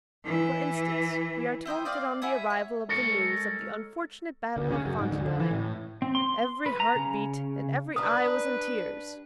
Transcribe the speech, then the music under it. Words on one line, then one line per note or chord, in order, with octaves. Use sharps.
For instance, we are told that on the arrival of the news of the unfortunate battle of Fontenoy, every heart beat, and every eye was in tears.
E3
E4 C5 D#5 G5
C4 D5 F5
E4 E5 F#5 G#5
C#5
G#3 A4 A#4 C#5
D2
C#3
F#2
G#2
D2
D3
E3
A2
C4
C6
B4
A#5
C#3
G2 D4 B4 A#5 D#6